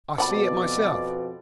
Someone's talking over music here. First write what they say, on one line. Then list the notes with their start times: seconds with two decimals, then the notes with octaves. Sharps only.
"I see it myself."
0.18 F2 B2 F3 D5 F#5 B5